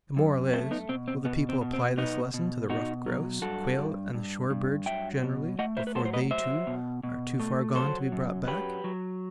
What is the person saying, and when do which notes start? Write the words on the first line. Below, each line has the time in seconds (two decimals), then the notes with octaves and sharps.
The moral is: Will the People apply this lesson to the ruffed grouse, quail and the shore birds generally before they, too, are too far gone to be brought back?
0.17 F#2
0.53 A3 C4
0.71 B3 D#4
0.89 B2 C4
1.08 C4
1.25 B2 B3
1.49 C4
1.61 B2
1.73 C4
1.97 B2 B3 D#4
2.34 B2
2.70 B2 D#4 F#4
3.07 F#3
3.42 G2 F#4 A4
3.78 G2
4.14 G2
4.50 G2
4.86 F#3 E5 G5
5.23 B2
5.59 A3 D#5 F#5
5.77 C5 E5
5.87 B4
5.95 F#3 A4 C5
6.05 C5
6.13 B4 D#5
6.31 F#3 C5 E5
6.67 B2
7.03 B2
7.40 A3
7.75 F#3 A4 C5
8.12 F#2
8.47 F#3 G4 B4
8.84 F#3